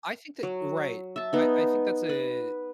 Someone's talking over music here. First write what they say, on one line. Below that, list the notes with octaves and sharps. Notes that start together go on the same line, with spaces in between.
I think that right, I I think that's a it
F#3
E5 A5
B3 D#4
B4